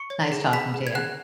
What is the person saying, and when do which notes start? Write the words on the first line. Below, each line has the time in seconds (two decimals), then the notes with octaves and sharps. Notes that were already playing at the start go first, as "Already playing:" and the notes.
it's nice talking to you
Already playing: C#6 C#7
0.10 C#5
0.32 G#4
0.53 G#4 B5 B6
0.74 G#4
0.87 G#6
0.95 G#4 F#5 F#6